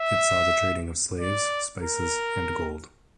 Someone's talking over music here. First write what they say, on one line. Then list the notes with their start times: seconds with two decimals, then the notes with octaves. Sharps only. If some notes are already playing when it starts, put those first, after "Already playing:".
It saw the trading of slaves, spices, and gold.
Already playing: E5
1.20 D5
1.83 A#4